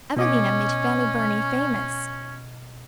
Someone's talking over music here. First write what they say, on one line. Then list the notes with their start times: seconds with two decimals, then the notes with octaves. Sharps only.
"Evelina" made Fanny Burney famous.
0.17 B2 C#4 D#5 D6